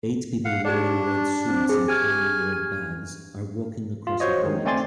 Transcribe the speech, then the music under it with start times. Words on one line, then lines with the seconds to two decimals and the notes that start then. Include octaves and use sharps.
Eight people wearing red suits and carrying red bags are walking across a bridge.
0.45 F5 F#5
0.65 D4 G4 D5
1.49 C4
1.69 G#4
1.88 G4 G#5 F6
4.07 F4
4.20 F#4 C5 C#5 D#5
4.43 D#3 G#3
4.65 A3 C4 D5 G#5 C6 A6